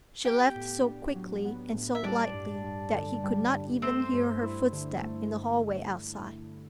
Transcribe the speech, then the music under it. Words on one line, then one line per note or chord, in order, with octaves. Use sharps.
She left so quickly and so lightly that he could not even hear her footstep in the hallway outside.
B3 G4 G5
A2
D4
F#3
B3
A2
E5
G3 D4 D5
G2
G2
D3
G3
G2
A3 C4 C5
G2
E4
D3
A3
G2